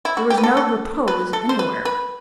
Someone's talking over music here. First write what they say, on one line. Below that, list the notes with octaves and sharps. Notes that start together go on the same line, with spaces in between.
There was no repose anywhere.
E4
F#4
G4
B4
A4
A4
B4
A4
C5
B4
B4